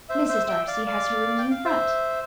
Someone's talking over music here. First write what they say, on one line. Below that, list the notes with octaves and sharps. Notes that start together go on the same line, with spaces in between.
Mrs. Darcy has her rooms in front.
C5 E5
C5 E5
E5 G5
D5 F5
D5 F5
G5
F5
C5 E5